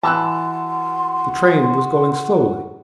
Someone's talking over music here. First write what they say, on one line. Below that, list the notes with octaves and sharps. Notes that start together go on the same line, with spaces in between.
The train was going slowly.
E3 F#4 A5 C6 E6 F#6